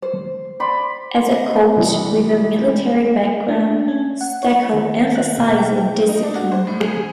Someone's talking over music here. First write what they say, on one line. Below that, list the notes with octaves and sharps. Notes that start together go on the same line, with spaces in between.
As a coach with a military background, Steckel emphasized discipline.
C5
D5 B5 C6
D#5
C2 E3 F3 G3 G#3
D4
C#4
F#5
C#5
D#3
F#6
B2
G5
D#4
D4
F#4
C5
A2
G#4